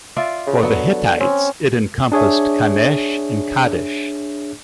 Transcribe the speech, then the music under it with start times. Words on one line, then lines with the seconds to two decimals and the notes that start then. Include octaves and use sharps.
For the Hittites, it encompassed Kanesh and Kadesh.
0.17 F4 D5 E5
0.47 C#3
0.63 D3 F#3 B3
1.20 C4 C#4
2.12 D4 G#4 C#5 E5